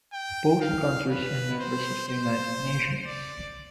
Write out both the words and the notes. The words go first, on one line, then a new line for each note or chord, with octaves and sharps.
Both countries are members of the United Nations.
G5
F5
B4
C5
C5
D5